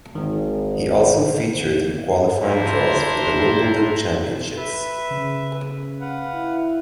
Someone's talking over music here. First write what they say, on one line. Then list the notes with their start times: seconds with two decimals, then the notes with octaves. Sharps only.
He also featured in qualifying draws for the Wimbledon Championships.
0.15 G#1 D#3
2.42 D4 E4 C5 A5 A#5 C6
4.57 B4 E5
5.10 C#3
6.01 B4 F5 F#5
6.33 E4